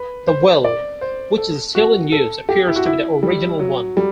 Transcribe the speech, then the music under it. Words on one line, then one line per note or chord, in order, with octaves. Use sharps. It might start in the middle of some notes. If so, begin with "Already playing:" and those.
The well, which is still in use, appears to be the original one.
Already playing: B4
C5
D5
C5
A4
F#4
A4
G4
E4
F#4
E4
G3
F#3
G3